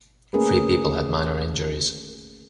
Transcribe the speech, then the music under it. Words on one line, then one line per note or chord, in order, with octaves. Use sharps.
Three people had minor injuries.
A3 A#3 C#4 G#4 A#4 B4